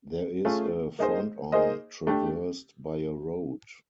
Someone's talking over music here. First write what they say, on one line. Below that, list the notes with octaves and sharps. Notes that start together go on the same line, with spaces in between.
There is a Fronton traversed by a road.
A3 C#4 F4 G#4
A#3 D#4 G#4 C5 D#5
A#3 D#4 G#4 C5 D#5
A3 D4 G4